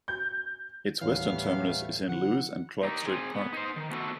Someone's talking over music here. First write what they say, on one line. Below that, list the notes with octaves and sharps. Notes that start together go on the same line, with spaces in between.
Its western terminus is in Lewis and Clark State Park.
G6
D#2 A2 E3 G3 A3 B3 C#5 F5
D3 F3 F#3 E4 F#5
D#4 G4 A#4
C4 G#4
B3
D#4 C5
D#3
A3 B3 F#4 G#4 A4